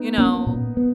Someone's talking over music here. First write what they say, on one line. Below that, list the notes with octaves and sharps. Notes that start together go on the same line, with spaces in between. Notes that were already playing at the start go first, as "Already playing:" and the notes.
you know,
Already playing: B3 D#4
A#3 C#4
A#2
B3